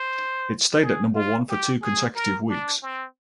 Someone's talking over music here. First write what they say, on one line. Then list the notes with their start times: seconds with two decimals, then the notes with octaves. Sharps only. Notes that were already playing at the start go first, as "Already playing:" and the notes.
It stayed at number one for two consecutive weeks.
Already playing: C5
0.82 G#4
1.15 F4
1.49 G4
1.82 G#4
2.16 A#4
2.49 D4
2.83 C4